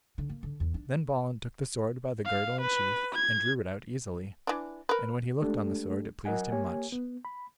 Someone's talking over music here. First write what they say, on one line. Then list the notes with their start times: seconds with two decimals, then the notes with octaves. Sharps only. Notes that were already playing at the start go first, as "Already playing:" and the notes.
Then Balin took the sword by the girdle and sheath, and drew it out easily; and when he looked on the sword it pleased him much.
0.18 D3
0.29 A#3
0.43 D3
0.60 E2
0.74 D4
2.26 F5
2.61 B4
3.15 G#6
4.47 E3 D4
4.89 A#4 B4
5.42 G#3 A3 D4 G4 A4
6.25 F#3 A#4 D#5 F#5 G#5
6.52 A#3 G4 C#5 G#5
6.92 B3
7.25 B5